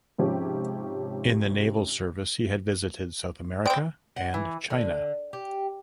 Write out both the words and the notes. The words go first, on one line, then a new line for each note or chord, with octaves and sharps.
In the naval service he had visited South America and China.
G#2 C3 F3 C#4 G4
G#3 C4 D5 G5 D7
F#5
E3
D3
G4